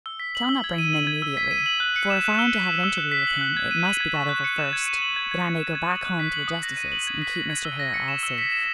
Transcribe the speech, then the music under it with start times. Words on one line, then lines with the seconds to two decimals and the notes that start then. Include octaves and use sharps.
"I shall not bring him in immediately; for if I am to have an interview with him, it must be got over first, that I may go back home to the justices, and keep Mr. Hare all safe."
0.06 E6
0.20 B6
0.35 F#7
0.49 E6
0.64 G#6
0.78 D#7
0.93 F#7
1.07 G#6
1.22 E6
1.37 B6
1.51 D#7
1.66 F#7
1.80 F#6
1.96 C#7
2.10 E7
2.24 F#6
2.39 E6
2.54 B6
2.68 E7
2.84 E6
2.98 F#6
3.12 B6
3.27 F#7
3.41 F#6
3.57 G#6
3.71 D#7
3.85 F#7
4.00 G#6
4.14 C#6
4.29 F#6
4.44 C#7
4.58 E7
4.73 G#6
4.87 D#7
5.02 F#7
5.16 G#6
5.31 G#6
5.46 C#7
5.60 E7
5.75 G#6
5.90 D#6
6.05 F#6
6.19 B6
6.33 F#7
6.48 D#6
6.63 A#6
6.77 D#7
6.92 F#7
7.07 G#6
7.22 B6
7.36 F#7
7.50 G#6
7.65 E6
7.79 A#6
7.94 C#7
8.08 E7
8.23 E6
8.38 B6
8.52 E7